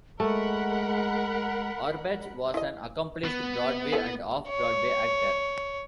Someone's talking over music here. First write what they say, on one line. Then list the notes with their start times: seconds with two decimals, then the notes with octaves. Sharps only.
Orbach was an accomplished Broadway and off-Broadway actor.
0.20 G#3 A3 A#4 F#5 B5
2.54 E4 D#5
3.25 B3
3.92 E4 A4 B4
4.48 C#5